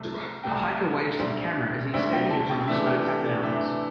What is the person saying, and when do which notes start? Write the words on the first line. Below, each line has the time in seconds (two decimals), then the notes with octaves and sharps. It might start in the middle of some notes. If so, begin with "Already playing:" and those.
A hiker waves to the camera as he standing in front of snowcapped mountains.
Already playing: C2 C3 A3
0.43 C2 C3 A3 G5
1.19 D2 D3 G3 C4
1.93 D2 D3 G3 C4 E5
2.13 G5
2.30 A5
2.49 G5
2.68 C3 E3 A3 D4 E5
2.86 G4
3.05 A4
3.24 D5
3.43 C3 E3 A3 D4 E5